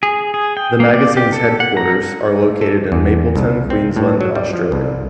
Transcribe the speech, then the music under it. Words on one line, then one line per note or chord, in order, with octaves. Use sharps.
The magazine's headquarters are located in Mapleton, Queensland, Australia.
G#4
G#4
G5
A#3
D5
G4
A4
F#5
A#5
A3
A4
E2
C2
C4
A2
F#3
G3
F3
C2